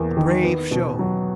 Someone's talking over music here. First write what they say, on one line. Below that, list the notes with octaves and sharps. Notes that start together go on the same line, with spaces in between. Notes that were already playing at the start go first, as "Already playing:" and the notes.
A brave show.
Already playing: E2 A#3
D#3
B3
B2
F#3